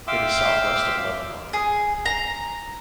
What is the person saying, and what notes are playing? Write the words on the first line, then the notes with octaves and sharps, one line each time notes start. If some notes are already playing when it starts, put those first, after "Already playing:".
It is southwest of Lebanon.
E5 F5 G5 C6 D6 E6
G#4
A#5